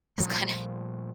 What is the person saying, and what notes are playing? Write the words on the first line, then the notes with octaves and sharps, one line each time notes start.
he's gonna
A#2 F3 G3 A3